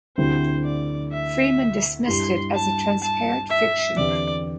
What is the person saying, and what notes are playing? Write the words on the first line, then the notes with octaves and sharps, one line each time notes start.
Freeman dismissed it as a transparent fiction.
D2 D3 C4 E4 G4 C5
D5
E5
G2 G3 E4 G4 C6
A5
A5
E5
E2 D3 C4 G4 D5